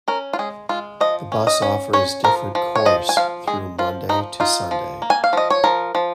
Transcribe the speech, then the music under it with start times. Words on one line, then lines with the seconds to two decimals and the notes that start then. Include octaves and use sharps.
The bus offers different course through Monday to Sunday.
0.08 C#4 A#4
0.33 F4
0.39 G#3 G#4
0.69 G#3 F4
1.00 F3 D#5
1.32 C#4
1.47 D#5
1.62 C#4
1.93 C#4 C#5
2.24 F3 A#4
2.55 F3
2.75 C#5
2.85 F3 D#5
3.09 G#5
3.17 F3 F5
3.47 G#3 G#4
3.78 F3 F4
4.09 F3 D#4
4.40 D#4 F4
4.71 F3
5.02 A#3
5.10 G#5
5.24 F5
5.33 F3 D#5
5.50 C#5
5.64 F3 A#4
5.95 F3